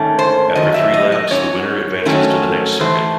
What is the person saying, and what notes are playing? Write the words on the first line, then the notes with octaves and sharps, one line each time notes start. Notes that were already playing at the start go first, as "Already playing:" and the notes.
After three laps the winner advances to the next circuit.
Already playing: G#2 D#3 A3 C#4
C5
F#2 D#3 F#3 D#5
E5
D#5
D#5
G#2 F#3 C#4 C#5
G#2 D#3 F#3 A3 C#4
G#2 E3 A3 C5